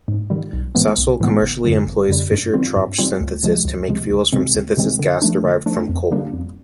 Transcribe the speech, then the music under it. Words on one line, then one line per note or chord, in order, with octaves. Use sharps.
Sasol commercially employs Fischer-Tropsch synthesis to make fuels from synthesis gas derived from coal.
G#2
D#3 G3
B1
A2 E3 G#3 B3
B1
A2 E3 G#3 B3
G1
F#2 D3 G3
G1
F#2 D3 G3
G2
D#3 G3 C4 F4
G2
D#3 G3 C4 F4
D2
C3 F3 G#3
D2
C3 F3 G#3
D2
C3 D#3 G#3 C4
D2
C3 D#3 G#3 C4
D3
F3 A3 D4
D3
F3 A3 D4
F2
D3 G3 A#3 D4
F2